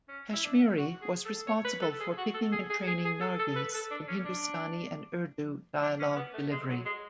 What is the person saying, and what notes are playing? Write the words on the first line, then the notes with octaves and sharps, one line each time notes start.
Kashmiri was responsible for picking and training Nargis in Hindustani and Urdu dialogue delivery.
C#4
E4
D4
F#4
G#4
A4
C#5
B4
A4
G#4
F#4
A4
G#4
G#4
G#4
G#4
A4
A4
B4
A4
D4
C#4
D4
D4
C#4
B3
A3
G#3
F#3
G#3